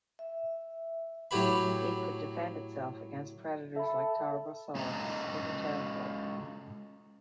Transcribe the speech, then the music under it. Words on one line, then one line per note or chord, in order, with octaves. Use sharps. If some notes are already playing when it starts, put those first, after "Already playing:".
It could defend itself against predators like "Tarbosaurus" with a tail-club.
E5
A2 F#3 G4 B4 B5
A4 E5 B5
G#3 C#4 A4 D#5 A#5